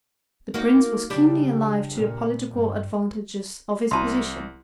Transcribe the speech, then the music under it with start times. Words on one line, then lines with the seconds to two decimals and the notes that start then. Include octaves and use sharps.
The prince was keenly alive to the political advantages of his position.
0.54 A#3 D#4 F#4
1.10 C#3 G3 D4
1.93 A#2
2.51 G2
3.91 C2 E4 A5 C6